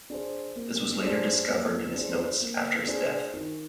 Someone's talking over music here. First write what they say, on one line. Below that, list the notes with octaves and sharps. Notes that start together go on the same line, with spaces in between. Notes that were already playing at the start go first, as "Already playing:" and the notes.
This was later discovered in his notes after his death.
D4 G#4 C5
A#3
D4 G#4 C5
A#3
D4 G#4 C5
A#3
D4 G#4 C5
D#3